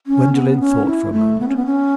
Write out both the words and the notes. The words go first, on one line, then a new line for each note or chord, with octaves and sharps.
Gwendolen thought for a moment.
C#4
B3
C#4
E4
A3
B3
C#4
B3
C#4